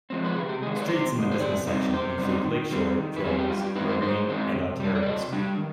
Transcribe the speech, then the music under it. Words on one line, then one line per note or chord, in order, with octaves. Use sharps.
Streets in the business section include Lakeshore, Jones, Marine, and Ontario Street.
F3 G#3 C4
B4
C3 G#4
G4
D#3 G#3 G#4
B4
D5
C3 C5
D#3 G#3
C5
C3 D5
G3 C4 D#4
C3 C5
G3 C4 D#4
D#3
G3 C4
D#3
B4
G3 C4 G#4
G4
G2 F4
G4
D#3 G#3 C4 D#4 B4
C5
G2 C5
D#3 G#3 C4 D#4
C3
G3 D4
D5
C3 D#5
G3 D4
D#3